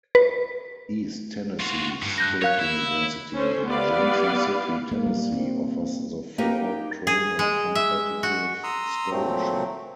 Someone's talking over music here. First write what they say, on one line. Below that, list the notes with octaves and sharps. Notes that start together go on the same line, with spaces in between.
East Tennessee State University, in Johnson City, Tennessee, offers the Floyd Cramer Competitive Scholarship.
B4
F4 F#4
G2
F#6 G6 A#6
A#4 C#5 F5 F#6
E4
C#4 A4 C5
B3 E4 G4 B4 D5 F5
A#3
G3
C4
A#3 D#4 G4 A#4 B4
G#4
G#3
E5
F#4
A#5 C6 D#6 E6
A#2 F#3 A3 C4